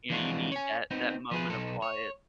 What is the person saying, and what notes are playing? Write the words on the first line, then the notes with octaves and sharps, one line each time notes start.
You know, you need that that moment of quiet.
E3 F3 G#3 D4 F4 F#4
C#5 G#5
B3 C4 D#4
F3 G#4 B4
B1 D#4 A4
C#5